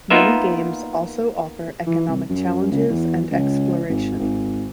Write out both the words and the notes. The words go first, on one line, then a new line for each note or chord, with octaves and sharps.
Many games also offer economic challenges and exploration.
A#3 B3 D#4 F4 A#4 E5
E3
C2
F#2
C#2
E2
C#2
G#1
G#1